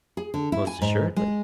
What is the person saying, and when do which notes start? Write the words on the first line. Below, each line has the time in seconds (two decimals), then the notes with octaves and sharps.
Most assuredly.
0.17 G#4
0.34 D3
0.52 E4
0.67 G#5
0.81 G#2
1.16 G#3